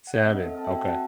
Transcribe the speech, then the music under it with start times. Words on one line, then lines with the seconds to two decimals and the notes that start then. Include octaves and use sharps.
Salmon, okay.
0.07 F#5
0.16 E5
0.26 C4 D#5
0.39 A4
0.55 C4 A5
0.65 E5 G5
0.71 F#4
0.85 C4 F#5 A5